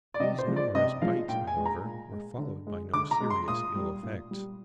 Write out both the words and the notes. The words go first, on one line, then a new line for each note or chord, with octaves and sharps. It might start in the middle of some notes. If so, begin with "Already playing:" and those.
These numerous bites, however, were followed by no serious ill effects.
D5
C3 D#5
C5
F3 G#3
D5
C3 D#5
F3 G#3 F5
A#2 G5
G#5
G#3
A#5
A#2
G#3
D3
G#3
D3 D6
A#5
G#3
C6
A#2 D#6
G3
A#2
G3